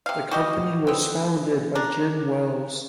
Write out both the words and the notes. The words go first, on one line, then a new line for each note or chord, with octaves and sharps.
The company was founded by Jim Wells.
C3 F5
F#4 G4 D#5
B3 C4
D4 A#4